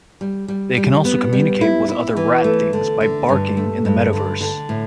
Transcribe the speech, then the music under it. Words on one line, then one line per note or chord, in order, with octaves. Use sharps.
They can also communicate with other Rat Things by "barking" in the Metaverse.
G3
G3
G3
B3
G3
E4
E4
E3
A3
D3
D3
G2
A3
G2
D3
D3
A2